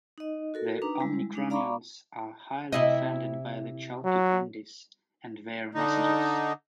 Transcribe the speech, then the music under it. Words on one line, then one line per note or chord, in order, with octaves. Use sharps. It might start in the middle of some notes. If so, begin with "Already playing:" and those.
The Omicronians are highly offended by the chalky candies and their messages.
D#4 D#5
F#4 A4 A#4
D4 D#4 B4 A#5 D6
G3 G#3 E4
G#3 D4 D#4
D5 F5 A#5 B5 C#6 D6
C3 E4 D#5
F#3
D3 D#4